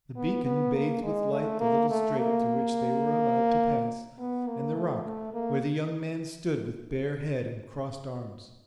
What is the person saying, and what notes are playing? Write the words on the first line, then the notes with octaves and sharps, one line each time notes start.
The beacon bathed with light the little strait through which they were about to pass and the rock where the young man stood with bare head and crossed arms.
B3
B3
A#3
G#3
A3
A#3
A3
A#3
B3
A#3
A3
A3
A#3